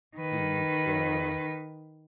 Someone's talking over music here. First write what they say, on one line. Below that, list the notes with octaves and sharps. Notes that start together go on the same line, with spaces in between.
he meets, uh
D#3 B4